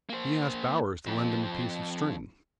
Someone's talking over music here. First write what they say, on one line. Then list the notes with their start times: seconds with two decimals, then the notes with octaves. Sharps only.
He asked Bowers to lend him a piece of string.
0.10 A#3 C5
1.07 F2 F3